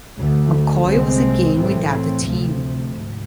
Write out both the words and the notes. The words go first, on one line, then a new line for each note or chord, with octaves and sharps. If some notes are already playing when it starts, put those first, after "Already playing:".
McCoy was again without a team.
D2 D3 A3
C2 C3 G#3 C4
A2 E3 A3 C4
D2 C3 F3 A3
G#2